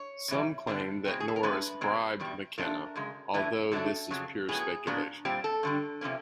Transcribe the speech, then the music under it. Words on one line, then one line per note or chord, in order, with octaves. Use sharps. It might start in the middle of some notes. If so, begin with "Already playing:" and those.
Some claim that Norris 'bribed' McKenna, although this is pure speculation.
Already playing: C#5
C#3 E3 G3
D3 G3 B3 D4
B2 G#3 C4
G#4
A4
A#4
A2 F3 G#3 B3 D4 B4
B2 G#3 C4
E2 B2 G3
A#2 F3 A3 D4 A#4
F#2 C#3 G#3
A2 E3 A3 D4
F#2 D3 F#3 A3 D4 A4
F2 C#3 F#3
A2 F#3 B3 G#4
A#2 F#3 B3 D4
A#2 G3 C4 G4
A4
G2 D3 G3
C3 F3 A#3 C#4